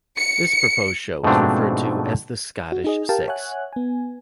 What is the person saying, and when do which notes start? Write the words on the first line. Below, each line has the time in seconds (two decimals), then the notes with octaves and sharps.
This proposed show is referred to as the Scottish Six.
0.19 C#7
1.24 G#2 B2 F3 A3 C4 D4
2.72 F#4
2.84 D#4 G#4 D#5
3.09 G4 A#4 F5 G5 A5
3.28 C#5 E5 F#5 G#5 F#6
3.73 B3 G#5